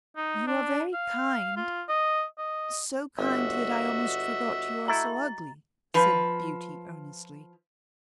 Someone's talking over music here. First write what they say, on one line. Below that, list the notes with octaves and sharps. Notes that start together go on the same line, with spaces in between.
"You are very kind--so kind that I almost forgot you are so ugly," said Beauty, earnestly.
D#4
D4
F5
F4
D#5
D#5
G1 F#4 D#5 E5
A3 E4 A#5 A6
F3 B4